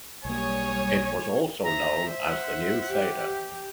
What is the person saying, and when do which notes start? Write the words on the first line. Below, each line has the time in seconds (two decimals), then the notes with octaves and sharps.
It was also known as the New Theatre.
0.25 B1 G3 A#3 C#5 G#5 D#6
1.64 C5 E5 A#5
2.23 F#5
2.89 G4